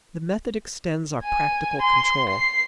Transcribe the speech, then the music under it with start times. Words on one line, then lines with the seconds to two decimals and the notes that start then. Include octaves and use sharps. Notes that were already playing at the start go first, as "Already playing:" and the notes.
The method extends our practical control.
1.23 G#5
1.82 C6
2.29 C7